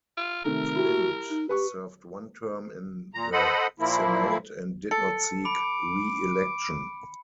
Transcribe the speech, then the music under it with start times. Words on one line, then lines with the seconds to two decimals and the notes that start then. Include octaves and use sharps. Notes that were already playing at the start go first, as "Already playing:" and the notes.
Flint served one term in the Senate and did not seek reelection.
0.17 F4
0.45 C3 D#3 A3 A#4
0.75 E4 F#4 G4
1.30 D#4
1.49 G4 B4 C#6
3.14 A#2 A#5
3.32 A4 C5 D#5 F#5 B5
3.79 A#2 F3 A#3 E4
4.91 A4 C#7
5.45 B5 D6